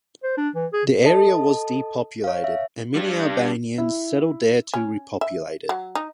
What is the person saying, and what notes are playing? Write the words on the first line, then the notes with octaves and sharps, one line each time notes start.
The area was depopulated and many Albanians settled there to repopulate it.
C5
D4
E3
G#4
A4 D#5 A5
C#5 F5
E5
G3 D4
E4
C#4
E5
F#3
D#4